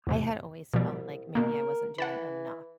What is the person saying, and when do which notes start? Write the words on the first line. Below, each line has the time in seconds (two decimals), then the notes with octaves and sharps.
I had always felt, like, maybe I wasn't doing enough,
0.07 E2 G#2 C3
0.74 C2 B2 F3 G3
1.35 B2 A#3 A#4
1.98 E3 F#5 A5 B5